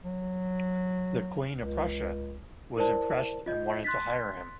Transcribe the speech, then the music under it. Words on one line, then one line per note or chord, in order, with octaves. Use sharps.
The Queen of Prussia was impressed and wanted to hire him.
F#3
C#2
E4 A#4 C5 D5 A5
F4 D#5 G6
C6 F#6 A6 B6